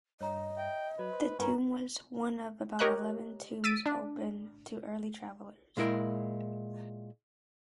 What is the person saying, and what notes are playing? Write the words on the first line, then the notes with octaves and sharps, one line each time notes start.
The tomb was one of about eleven tombs open to early travelers.
G2 C#5 D#5 A#5
E5 G5
F#3 B4 D5
C5
G2 B3 C#4 E4 A#4 B4 A#5
G4 A#4 C#5 D#5 A#5 F#6
E6 A6 B6 D7 D#7
D4
A#2 G#3 E4 A#4 G5